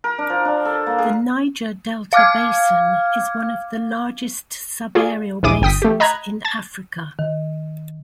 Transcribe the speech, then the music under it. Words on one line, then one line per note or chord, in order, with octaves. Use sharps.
The Niger delta basin is one of the largest subaerial basins in Africa.
A#4
D4
F3
D4
A4
A#3
G#4
F5 D6 F6 G#6
F4 G#4 A4 D5
A#1 D#2 E4 G#4 D6 D#7
G1 G5 D#6 B6
A3 G4
D#5 A#5 B5 F#6 G#6
A5 G#6 A6
D#3